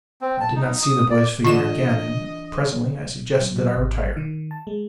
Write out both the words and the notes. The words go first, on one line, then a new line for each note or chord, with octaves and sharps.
I did not see the boy's figure again; and presently I suggested that I retire.
C4
A5
D#4
D#6
D5
D3 E3 D4 F4 D#5 E7
F#3
G#1
D#3
A5
G#3